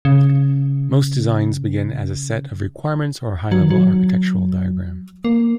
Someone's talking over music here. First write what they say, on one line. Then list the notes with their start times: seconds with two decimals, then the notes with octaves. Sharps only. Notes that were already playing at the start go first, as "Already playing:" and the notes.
Most designs begin as a set of requirements or a high-level architectural diagram.
0.05 C#3
3.52 F#3
3.61 D#3
3.70 F#3
5.25 A#3